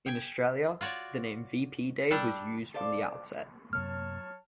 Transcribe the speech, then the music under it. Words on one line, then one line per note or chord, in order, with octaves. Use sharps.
In Australia, the name "V-P Day" was used from the outset.
G5 G#5
F4 F#4 C#5 D5
G3 D4 G4 A4
A4 C5 D5 F5
F#2 C3 F#3 A#3 C#5 A5 F6